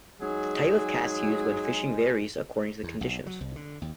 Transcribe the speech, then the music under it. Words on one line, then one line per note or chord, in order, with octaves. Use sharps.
The type of cast used when fishing varies according to the conditions.
F#3 G#3 D#4 G#4
E2
B1
F#3
C2
D3
D#2